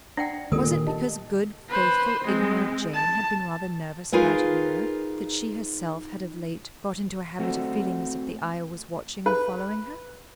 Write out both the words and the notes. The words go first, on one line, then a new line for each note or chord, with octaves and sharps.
Was it because good, faithful, ignorant Jane had been rather nervous about Ameerah that she herself had of late got into a habit of feeling as if the Ayah was watching and following her.
D4 D5 F#5 G5
A#2 D3 D#3 G3 A#3 A4 A#4 D#6
G4 D#5 A5
B4 C5
G#3 C4
A5
D#4 F4 G#4 A#4 B4
A3 C4 F#4
B4